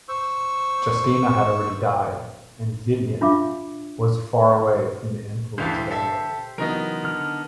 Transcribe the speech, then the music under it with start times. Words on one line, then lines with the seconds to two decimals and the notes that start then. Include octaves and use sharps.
Justina had already died, and Vienne was far away from the influence of Ambrose.
0.09 C5 C#6 E6
3.21 D4 F4 E5 F5 D6
5.58 D2 D3 E3 G4 C5 F5 A5
5.91 A4 E5
6.58 C#3 E3 F#3 B3 D#4 A#4
7.04 D3 F6